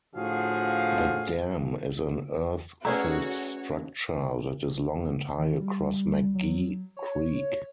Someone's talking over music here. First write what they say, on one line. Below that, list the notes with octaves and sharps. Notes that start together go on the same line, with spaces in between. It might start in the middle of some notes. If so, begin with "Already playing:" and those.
The dam is an earth-filled structure that is long and high across McGee Creek.
A2 D3 F3 F#4 G#4 F5
A3 C#4 F#4 G#4 B4 C#5 D5 A#5
D#3
G3
F#3
C#5